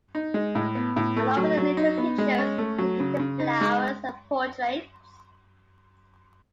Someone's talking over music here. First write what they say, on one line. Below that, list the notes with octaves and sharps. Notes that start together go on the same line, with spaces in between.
Along with nature pictures, he painted flowers and portraits.
D#4
G#3
A2
B3
A2
A3
F#3
F#3
D#4
B3
G#3
C#4
A3
F#3
C#3
C#3
D#4
G#3